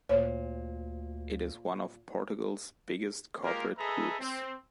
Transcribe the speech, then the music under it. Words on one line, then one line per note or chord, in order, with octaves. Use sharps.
It is one of Portugal's biggest corporate groups.
D2 A#2 C5 C#5
G#3 A#3 F4 G4 A#4
G#4 A4 B4 D#5 E5 A#5
C4